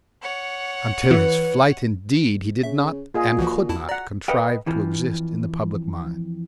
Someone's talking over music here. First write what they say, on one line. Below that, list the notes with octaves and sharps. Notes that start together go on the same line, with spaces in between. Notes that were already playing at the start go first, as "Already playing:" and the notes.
Until his flight indeed, he did not and could not contrive to exist in the public mind.
C#5 F#5
E3 B4
C#3 E5
A#2 F4 G#4 D#5
C2 E3 F3 F#4
F2 E4 A5
D5 F#5 A#5
A4 B4 D#5 F5 G5
F2 E3 F3